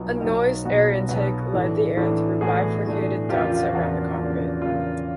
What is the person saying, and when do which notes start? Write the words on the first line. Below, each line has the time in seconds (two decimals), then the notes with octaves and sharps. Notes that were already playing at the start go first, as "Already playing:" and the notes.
A nose air-intake led the air through bifurcated ducts around the cockpit.
Already playing: B1 B2 F#3 B3 D#4 F4
0.20 B1 B2 F#3 B3 D#4
0.64 B1 B2 F#3 B3 D#4 F#4
1.09 B1 B2 F#3 B3 D#4
1.53 A2 E3 A3 D4
1.97 A2 E3 A3 D4
2.41 A2 E3 A3 D4 F#4 G#4
2.85 A2 E3 A3 D4
3.29 E2 C#3 F3 A#3 D4 F4 G4
3.41 F4 G4
3.51 F4
3.62 F#4
3.73 E2 C#3 F3 A#3 D4 F#4
4.17 E2 C#3 F3 A#3 D4
4.62 E2 C#3 F3 A#3 D4 F4